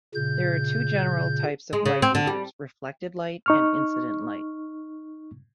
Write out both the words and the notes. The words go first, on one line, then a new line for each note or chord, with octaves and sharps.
There are two general types of light meters: reflected-light and incident-light.
A#2 C#3 G6
G#3
C#3
C4
D3
G3
D#4 C#6 F6